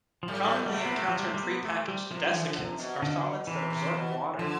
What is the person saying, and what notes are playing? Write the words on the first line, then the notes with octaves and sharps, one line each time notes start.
Commonly encountered pre-packaged desiccants are solids that absorb water.
F3
A2 G3
A2
B2
G3
C3 A3
B3
A3
F3
G3
A3
G3
B3
A3
G3
C3 F3
D3
E3
D3
C3
B2
B2 D3
D3
C3 E3
C3
B2
D3 F3